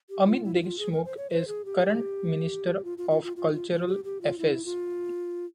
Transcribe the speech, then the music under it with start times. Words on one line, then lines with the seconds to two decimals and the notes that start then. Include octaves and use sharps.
Amit Deshmukh is current Minister of Cultural Affairs.
0.10 G4
0.27 F4
0.44 E4
0.55 E4
0.62 F4
0.79 G#4
0.92 A#4
1.05 C5
1.17 C#5
1.30 C5
1.48 G#4
1.65 G4
2.85 F4
2.98 F4
3.10 F4
3.24 F4
3.36 F4
3.53 F4
3.70 F4
3.87 G4
4.04 G4
4.21 F4
4.38 E4
4.65 F4